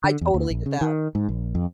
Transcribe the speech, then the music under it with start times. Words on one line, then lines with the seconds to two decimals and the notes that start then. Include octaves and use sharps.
I totally get that.
0.04 D3
0.21 E2
0.34 D2
0.50 A#1
0.66 C#3
0.81 D#3
1.15 G#2
1.29 A#1
1.55 F2